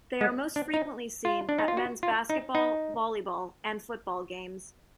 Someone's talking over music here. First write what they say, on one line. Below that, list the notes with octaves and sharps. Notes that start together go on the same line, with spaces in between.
They are most frequently seen at Men's basketball, volleyball, and football games.
G#3
D4
D#4
F4
D4
D#4
F4
F#4
F4
D#4
D#4